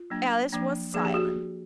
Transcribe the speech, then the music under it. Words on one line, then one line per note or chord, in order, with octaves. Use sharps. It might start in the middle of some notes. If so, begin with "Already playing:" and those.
Alice was silent.
Already playing: F4
F#3 A#3 D4
F3 A#3 D4
F3 A#3 D4 G#4
G4
F#4 G#4